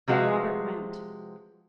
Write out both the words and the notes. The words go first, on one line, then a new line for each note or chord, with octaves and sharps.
Robert went.
C3 F3 G#3 F#4 B4 F5